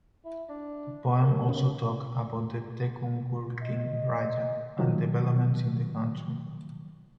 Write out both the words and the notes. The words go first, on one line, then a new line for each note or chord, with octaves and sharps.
The poem also talk about the Thekkumkur king Raja and developments in the country.
E4
D4
D#2
C#3
D#5
D#3 F3 F#3